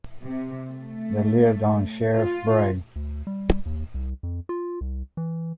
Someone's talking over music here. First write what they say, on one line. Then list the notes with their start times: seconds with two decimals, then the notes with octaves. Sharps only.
They lived on Sherrif Brae.
0.23 C3
0.70 A3
2.15 F4
2.96 D2
3.27 G3
3.66 D#2
3.94 C2
4.23 F2
4.49 F4
4.81 C2
5.17 E3